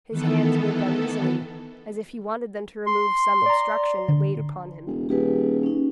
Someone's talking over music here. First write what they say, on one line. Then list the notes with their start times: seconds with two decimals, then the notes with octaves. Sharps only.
His hands moved uneasily, as if he wanted them to remove some obstruction that weighed upon him.
0.10 D#3 E3 B3 A4
2.87 C6
3.46 D5 A#5
4.08 D3
4.86 E1
5.09 D#1 G4 G#4 B4
5.63 C#4 D#4